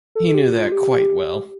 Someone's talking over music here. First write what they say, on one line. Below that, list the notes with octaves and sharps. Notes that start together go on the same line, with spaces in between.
He knew that quite well!
A4
A4
G4
F4
G4